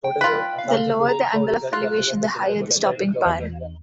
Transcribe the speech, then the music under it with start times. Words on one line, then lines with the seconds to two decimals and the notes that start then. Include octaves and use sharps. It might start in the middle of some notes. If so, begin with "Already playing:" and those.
The lower the angle of elevation, the higher the stopping power.
0.04 G5
0.21 F4 B4
0.59 F5
1.09 A#5
1.73 F4 F#6
3.26 E2